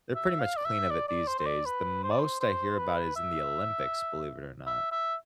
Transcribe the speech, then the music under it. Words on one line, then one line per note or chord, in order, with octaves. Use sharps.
they're pretty much clean of it these days, the most I hear about is in the Olympics, believe it or not.
E5
F5
D5
E5
D5
D5
C5
C5
D5
B4
C5
D5
C5
C5
B4
E5
E5
E5